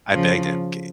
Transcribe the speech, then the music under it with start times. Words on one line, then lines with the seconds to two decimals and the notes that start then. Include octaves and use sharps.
I begged him. "Ca
0.12 C#3 F3